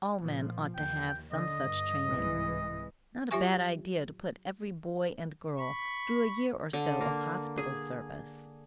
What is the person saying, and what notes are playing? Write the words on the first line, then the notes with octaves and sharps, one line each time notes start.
All men ought to have some such training, Not a bad idea to put every boy and girl through a year or so of hospital service....
A#2 F3
D#2 G5
D3 D#5
G2
C2 G#2 E3
F#3 F4 G4 E5 G#5 C#6
B5 C#6
D3
A#3
G#4